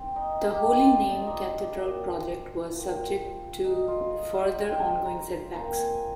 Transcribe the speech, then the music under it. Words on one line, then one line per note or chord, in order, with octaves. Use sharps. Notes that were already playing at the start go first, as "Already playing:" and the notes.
The Holy Name Cathedral project was subject to further ongoing setbacks.
Already playing: C4
D#4
G4
D3 F3 C4 F4
D#4
D4
D#4
D4
A#2 F3 C4 D4
A#2 F3 C4
D3 G#3 D4 D#4
F4
D#5
F5
D3 G#3 D4 G5
A#5
A#2 F3 C4 A#5
G#5